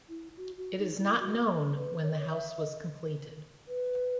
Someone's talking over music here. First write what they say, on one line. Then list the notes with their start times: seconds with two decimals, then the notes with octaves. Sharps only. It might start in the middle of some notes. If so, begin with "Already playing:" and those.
It is not known when the house was completed.
0.09 E4
0.37 F#4
0.57 F#4
0.78 D#4
0.99 E4
1.19 F#4
1.74 B4
2.03 C#5
2.11 D#5
2.20 C#5
2.31 E5
2.58 D#5
3.68 B4